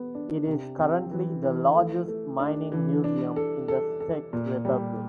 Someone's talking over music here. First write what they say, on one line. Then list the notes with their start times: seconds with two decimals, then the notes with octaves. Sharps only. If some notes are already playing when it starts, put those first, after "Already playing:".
It is currently the largest mining museum in the Czech Republic.
Already playing: B3
0.15 D4
0.47 C3
0.78 C4
1.11 E3
1.43 E3
1.75 A3
2.08 A3
2.40 D4
2.72 E3
3.04 D4
3.36 A4
3.68 A4
4.00 A4
4.33 A#2
4.65 G3